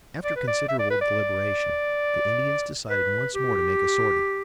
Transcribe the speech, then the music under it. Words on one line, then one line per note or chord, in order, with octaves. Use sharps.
After considerable deliberation, the Indians decided once more to make a sortie.
D5
B4
D5
E5
D5
B4
D5
B4
G4